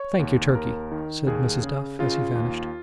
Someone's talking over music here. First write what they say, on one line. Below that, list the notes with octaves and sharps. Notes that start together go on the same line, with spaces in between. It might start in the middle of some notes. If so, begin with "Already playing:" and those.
"Thank you, Turkey," said Mrs. Duff as he vanished.
Already playing: C#5
D#2
D#2 A#4
D#3
D#2 G#4
C#3
C#3 F4
D#2